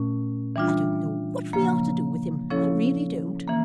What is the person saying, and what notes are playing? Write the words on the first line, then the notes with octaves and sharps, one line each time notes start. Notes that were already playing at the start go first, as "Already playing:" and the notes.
I don't know what we are to do with him, I really don't.'
Already playing: A#2 A3 C#4
E3 G3 D4 F4
C#3 F3 A#3
F3 C#4 E4 A4 C#5
E3 A#3